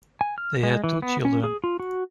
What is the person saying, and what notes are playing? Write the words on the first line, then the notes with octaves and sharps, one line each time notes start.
They have two children.
G#5
F6
G#3
E3
B3
C#4
G#4
F4
F#4